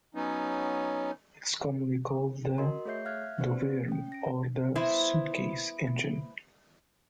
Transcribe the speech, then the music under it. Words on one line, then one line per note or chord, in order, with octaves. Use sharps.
It is commonly called the "Douvrin" or the "Suitcase" engine.
F#3 B3 C#4 D#4
F#4 A#4 D#5 C6
A3 G#4 C#5 E5 G6 C7
E5 F5 F6 F#6 G#6
C4 D4 G4 B4 C5 D5
C#4 G5
A#6 D7
B3 E4 C5